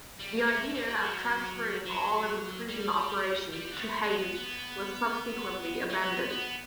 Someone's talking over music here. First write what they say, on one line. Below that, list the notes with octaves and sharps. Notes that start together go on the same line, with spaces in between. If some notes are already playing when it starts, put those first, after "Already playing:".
The idea of transferring all of the prison operations to Hayes was subsequently abandoned.
G3
A3
G3
F#3
F#3
G3
G3
B3
A3
A3
B3
B3
A3
B3
B3